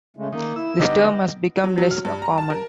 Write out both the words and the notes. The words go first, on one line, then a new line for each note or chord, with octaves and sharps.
This term has become less common.
C#3 G#3 A3
D#3 A#3
E4 E6
D3 G3 B3 D#4 D#5
F#3
F#3
F6
G2
A#5
A5
A#4